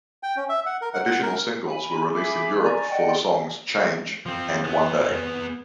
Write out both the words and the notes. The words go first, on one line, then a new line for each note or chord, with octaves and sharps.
Additional singles were released in Europe for the songs "Change" and "One Day".
G5
C#4
E5
F#5
A#4
F#5
F#5
A#4
G#5 B5
G#4 E5 B5 D6
D5 G#5 A#5 C#6
D5 D#5 F#5 G5
F3 C4
B3 G#4